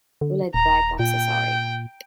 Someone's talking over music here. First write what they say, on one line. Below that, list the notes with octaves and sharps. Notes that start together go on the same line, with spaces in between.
Bullet Bike accessory.
D3
D#1 A#5
A#2 G5